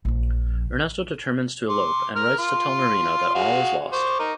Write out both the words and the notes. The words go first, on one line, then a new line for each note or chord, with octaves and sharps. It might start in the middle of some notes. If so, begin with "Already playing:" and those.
Ernesto determines to elope and writes to tell Norina that all is lost.
A#1 F3
C6 D6
A#4 F6
F4 C6
F#4 G#4 F5
C5 C#6 D6
D#4 A#4